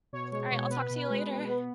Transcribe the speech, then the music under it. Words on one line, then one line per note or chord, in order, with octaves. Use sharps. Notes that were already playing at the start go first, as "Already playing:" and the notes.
Alright, I'll talk to you later.
B2 C#5
G#3 C#5
B2 C#5
B3 B4
B2
G#3
B2
B3